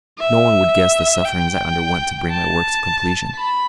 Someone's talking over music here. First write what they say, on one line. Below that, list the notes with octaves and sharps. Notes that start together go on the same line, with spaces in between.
No one would guess the sufferings I underwent to bring my work to completion.
E5
G5
A5
B5